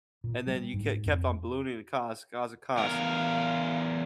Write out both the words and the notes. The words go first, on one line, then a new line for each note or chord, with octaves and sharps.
and then you ke kept on ballooning the cost, 'cause of cost,
A#2
G3
G#2
F2
E2 A#4 F5